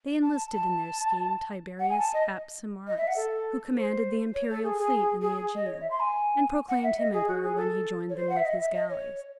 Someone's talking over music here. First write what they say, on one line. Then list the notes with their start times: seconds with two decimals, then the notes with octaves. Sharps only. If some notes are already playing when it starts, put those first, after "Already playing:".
They enlisted in their scheme Tiberius Apsimarus, who commanded the imperial fleet in the Aegean, and proclaimed him emperor when he joined them with his galleys.
0.23 A5
0.53 A5
1.79 F#5
1.90 G#5
1.99 A5
2.13 D#5
2.87 D#5
2.97 E5
3.07 F#5
3.16 A4
3.75 C5
4.34 C#5
4.49 A4
4.63 G#4
4.78 G#4
5.22 G#4
5.55 D#5
5.66 C#5
5.81 E5
5.91 C6
6.00 G#5
6.69 F#5
6.83 E5
6.98 D#5
7.13 G#4
7.28 F#4
7.42 G#4
7.57 A4
8.09 C#5
8.16 C5
8.29 F#5
8.36 E5
8.45 D#5
8.60 E5
8.74 D#5
8.89 C#5